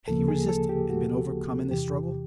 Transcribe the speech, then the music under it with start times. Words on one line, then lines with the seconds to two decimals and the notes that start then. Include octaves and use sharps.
Had he resisted, and been overcome in the struggle?
0.08 D2 C#3 F3 A#3 A4
0.28 G#4
0.49 A4
0.69 G4
0.89 F#4
1.71 E2 C3 E3 G4